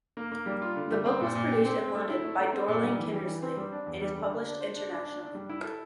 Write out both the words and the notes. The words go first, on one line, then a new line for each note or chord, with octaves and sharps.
The book was produced in London by Dorling Kindersley and is published internationally.
A#3
A#3
G3
F4
D3
G3
C4
A#2
A#2
G4
C4
C4
A3
E4
A3
A3
C4
A#2
G3
E3
G3
E3
C4
G3
D4
E2
G3
D3
D4
D4
C5
D4
D4
D4
D4
G3
E4
A4